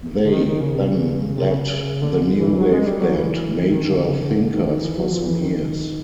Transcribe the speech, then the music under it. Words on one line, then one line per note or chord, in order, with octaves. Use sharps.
They then led the new wave band Major Thinkers for some years.
D3
D#3
D#3
C#3
C3
C#3
C3
C#3
D3
E3
F#3
G#3
G3
F#3
E3
D#3
D3
C#3
D3
D#3
E3
F#3
F3
E3
D#3